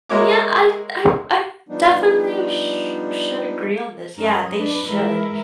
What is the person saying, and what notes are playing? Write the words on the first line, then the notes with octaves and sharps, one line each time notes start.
Yeah, I I I definitely sh should agree on this, yeah, they should.
G#3 A#3 E4 F#4 C#5 D6
F3 G3 B3 D4 D#4
F#2 C#4 A#4 D#5
D4 B4
E3 G#3 E4 A#4 E5